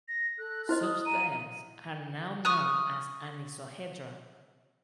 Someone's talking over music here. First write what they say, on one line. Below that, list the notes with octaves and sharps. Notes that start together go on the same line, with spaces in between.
Such tiles are now known as anisohedral.
A#6
A4 F#6
E4 C5 D#5 C6 F6
D#6
A#5 D#7
C#6 D#6 F6 F#6